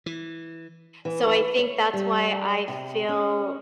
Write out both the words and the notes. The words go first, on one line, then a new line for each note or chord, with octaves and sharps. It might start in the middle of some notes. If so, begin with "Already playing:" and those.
So, I think that's why I feel,
E3
E3
C#5
G3
C3
C#4